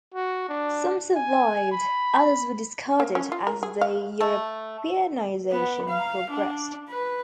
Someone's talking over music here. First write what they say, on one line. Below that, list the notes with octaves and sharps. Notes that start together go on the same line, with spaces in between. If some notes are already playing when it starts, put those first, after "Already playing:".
Some survived, others were discarded as the Europeanization progressed.
F#4
D4
G#5
B5
A#3
C#4
F4
A#4
G#4
F5
A3
B3
F5
D4
B4